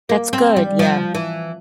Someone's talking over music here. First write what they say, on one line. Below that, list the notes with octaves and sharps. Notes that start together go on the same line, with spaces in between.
That's good. Yeah.
A#3
C4
G3
F3
E3